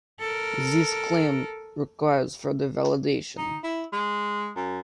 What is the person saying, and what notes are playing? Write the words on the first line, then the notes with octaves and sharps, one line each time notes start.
This claim requires further validation.
A4 A#4
D#4
E4
G#3
F#2